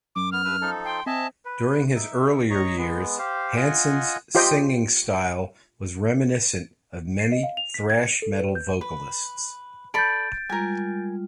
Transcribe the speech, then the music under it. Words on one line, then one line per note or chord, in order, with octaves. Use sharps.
During his earlier years Hansen's singing style was reminiscent of many thrash metal vocalists.
F#2 D6
B3 F6
G2 B4 E6
F3 D#4 A4
G5 C6
C4 D#5 E5 G#5 A5
B4
D#4 E5
C#5 D#5 A#5 C#6
G#3 B3
G4 C5 F5
F4 D#5 F#5 G#5
F4 G4 C5 D#5 G5
C7
D#5
F5
F7
B6
G#6
C#7
A4
B4
G6
B4
A4 D5 B5 G6 A6 D7
G3 G#3 F4 A#4 G#5